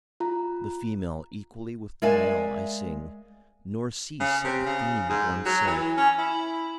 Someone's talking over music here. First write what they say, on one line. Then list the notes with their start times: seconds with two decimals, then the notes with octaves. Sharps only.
The Female equally with the Male, I sing. Nor cease at the theme of One's-Self.
0.20 F4 A#5
2.02 G#3 A#4 D5 E5 F5 G#5
4.20 C#3
4.44 C3
4.66 C#3
5.10 G#2
5.45 F#3
5.67 E3
5.97 C#4
6.18 E4